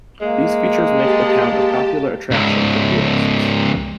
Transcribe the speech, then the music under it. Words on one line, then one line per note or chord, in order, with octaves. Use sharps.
These features make the town a popular attraction for tourists.
G#3 A#3
G4 A5
C#2 G#2